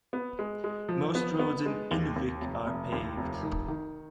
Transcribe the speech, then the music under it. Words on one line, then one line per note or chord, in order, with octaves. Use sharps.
Most roads in Inuvik are paved.
B3
G#3
G#3
F3
B3
B3
G#3
D#2
D#2
F1
F1
D#2
F1
D#3
D#3